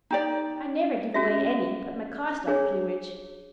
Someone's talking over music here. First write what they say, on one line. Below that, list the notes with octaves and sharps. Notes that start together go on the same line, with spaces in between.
I never give away any but my cast-off plumage.
D#4 G4 D5
C#4 F#4 G#4 E5
D4 G#4 C#5